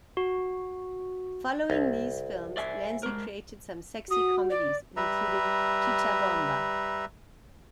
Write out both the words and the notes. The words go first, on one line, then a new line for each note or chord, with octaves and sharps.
Following these films, Lenzi created some sexy comedies, including "Cicciabomba".
F#4
C2
D5 E5 G#5
G#3 A#4
F#4 D#6
D5
G3 B4 E5 A#5